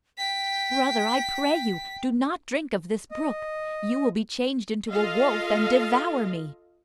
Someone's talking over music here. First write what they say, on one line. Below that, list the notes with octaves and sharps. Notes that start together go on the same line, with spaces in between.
"Brother, I pray you, do not drink of this brook; you will be changed into a wolf, and devour me."
G5 B6
D#5
F4 A4 D#5 F5